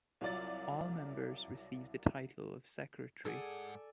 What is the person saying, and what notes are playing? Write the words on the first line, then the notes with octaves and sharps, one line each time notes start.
All members receive the title of "Secretary".
C2 F#3 F4 D5 A6
G#2 G#4 A4 D5 F#5 G#5